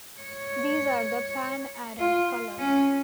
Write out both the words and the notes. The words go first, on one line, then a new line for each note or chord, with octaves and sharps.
These are the Pan-Arab colors.
C#5
F4
C#4